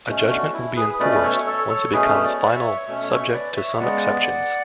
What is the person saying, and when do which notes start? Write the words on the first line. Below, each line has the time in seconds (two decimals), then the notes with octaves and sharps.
A judgment will be enforced once it becomes final subject to some exceptions.
0.06 B2 A3 C#4
0.30 D4 F#4
0.54 E4
0.76 G#4 B4
1.00 B2 A3 C#4 B4 D5
1.12 D5
1.23 C#5 E5
1.46 A4 C#5
1.70 A4 C#5
1.93 B2 A3 C#4 G#4 B4
2.24 D5
2.34 C#5
2.43 B4 D5
2.55 C#5 E5
2.86 B2 A3 C#4 C#5 E5
3.09 C#5 E5
3.33 B4 D5
3.56 C#5 E5
3.79 C#3 G#3 B3 D5 F#5